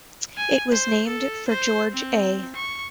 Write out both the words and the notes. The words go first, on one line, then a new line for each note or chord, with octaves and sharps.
It was named for George A.
G#5
C5
A4
C5
C4
C#6